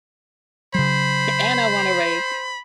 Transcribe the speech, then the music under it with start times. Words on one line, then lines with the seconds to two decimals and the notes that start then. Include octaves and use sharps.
A and I wanna raise.
0.75 C#3 F#3 C5 B5